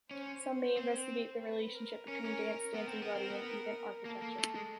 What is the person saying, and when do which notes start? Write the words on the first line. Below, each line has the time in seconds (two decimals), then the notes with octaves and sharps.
Some may investigate the relationship between dance, dancing body, and even architecture.
0.11 C#4 C5
0.77 C4
1.42 B4
1.75 A#4
2.08 C#4 A#4
2.25 C#4
2.74 B3 A#4
2.88 C4
3.02 B3
3.15 C4
3.31 B3
4.05 A#3 A4
4.22 A#3
4.39 A3
4.55 G#3